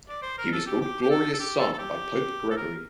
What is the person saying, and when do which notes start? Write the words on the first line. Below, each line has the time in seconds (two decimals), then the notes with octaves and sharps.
He was called "glorious son" by Pope Gregory.
0.09 D5
0.22 C5
0.38 A#4
0.53 A4
0.66 G4
0.81 G4
1.02 G4
1.10 A4
1.33 A4
1.40 G4
1.59 A4
1.73 A4
1.78 G4
2.51 A4
2.57 A#4